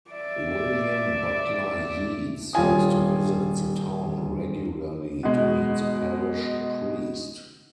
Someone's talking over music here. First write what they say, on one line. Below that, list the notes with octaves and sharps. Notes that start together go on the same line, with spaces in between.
William Butler Yeats used to visit the town regularly to meet the parish priest.
D5 E5
D#1 F4 G#5 D#6
B2 G#3